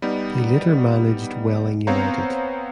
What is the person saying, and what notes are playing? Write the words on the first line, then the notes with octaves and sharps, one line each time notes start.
He later managed Welling United.
G3 B3 D#4
B3 C4 C5 C#5 F5 A#5